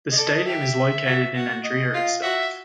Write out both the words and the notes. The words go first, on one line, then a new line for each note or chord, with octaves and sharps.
The stadium is located in Andria itself.
D#5
A4 D5
D#5
D#5
G4 E5
F#4
F#4
D#5
F4
F#4 E5